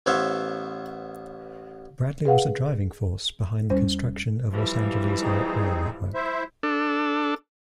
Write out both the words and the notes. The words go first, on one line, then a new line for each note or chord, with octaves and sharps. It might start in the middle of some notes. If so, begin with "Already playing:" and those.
Bradley was a driving force behind the construction of Los Angeles' light rail network.
A1 B3 C5 C#5 E5 F5
G#4 B4 F5 F#5
E2 G3 C#4 C5
E3 F3 G3
C4 D#4 G#4
E4 C5 E5
D4 A4